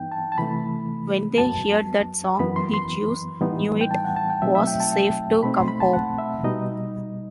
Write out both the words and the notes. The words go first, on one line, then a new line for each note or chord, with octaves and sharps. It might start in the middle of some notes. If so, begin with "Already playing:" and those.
When they heard that song, the Jews knew it was safe to come home.
Already playing: G2 E3 B3 D#4 G5
A5
A5
C3 E3 A3 B5
F#2 F#3 B3 A5
F#2 E3 B3 B5
C6
C6
A2 E3 G3 B3 D#4
G5
A5
F#5
A5
G5
B2 F#3 A3 C4 D#4 E5
E5
G5
A5
B2 A3 C4 D#4 B5
C6
B5
A5
F#5
E5
B2 G3 D#4 D#5